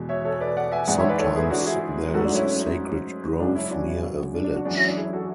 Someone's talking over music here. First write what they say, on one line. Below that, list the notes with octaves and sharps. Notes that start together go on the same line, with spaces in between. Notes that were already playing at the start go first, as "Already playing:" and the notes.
Sometimes there is a sacred grove near a village.
Already playing: E2 B2 G#3
C#5 E5
A4 C#5
B4 D5
D5 F#5
E5 G#5
G#2 E3 G#3 D5 F#5
C#5 E5
B4 D5
A4 C#5
E4 G#4
D4 F#4
E4 G#4
G#2 F#3 A3 F#4 A4
D4
C#4 E4
C#4
C#4
F#2 C#3 G#3 D4
C#4 E4
D4 F#4
D4
D4
D4 F#4
F#2 E3 G#3 D4 F#4
C#4 E4
D4
E4 G#4
F#4 A4